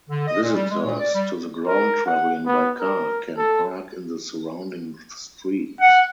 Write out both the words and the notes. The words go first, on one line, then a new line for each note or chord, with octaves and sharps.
Visitors to the ground travelling by car can park in the surrounding streets.
D3
D#5
A#2
G3
G#3
A#2
D5
G3
A#4
F#5
B3
A#4
A4
F#5